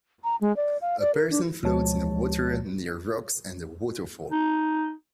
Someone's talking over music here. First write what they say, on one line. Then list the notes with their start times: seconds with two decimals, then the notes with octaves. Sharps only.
A person floats in water near rocks and a waterfall.
0.24 A#5
0.41 G#3
0.56 D5
0.81 F5
1.00 D5
1.15 A#4
1.31 D4
1.63 D2 F3 G#3 C#5 A5
4.32 D#4